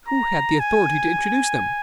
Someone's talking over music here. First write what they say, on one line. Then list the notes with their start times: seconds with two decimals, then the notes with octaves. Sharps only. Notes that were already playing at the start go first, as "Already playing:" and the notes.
Who had the authority to introduce them?
0.08 A#5
0.60 G#5